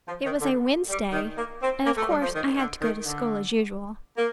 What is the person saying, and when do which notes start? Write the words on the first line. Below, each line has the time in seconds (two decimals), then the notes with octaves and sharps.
It was a Wednesday, and of course I had to go to school as usual.
0.08 F3
0.25 D#3
0.41 D3
0.89 G3
1.13 D#3
1.36 A#3
1.61 C4
1.85 A#3
1.97 A3
2.09 G3
2.22 F3
2.34 D#3
2.58 D3
2.81 D#3
3.06 D3
4.17 A#3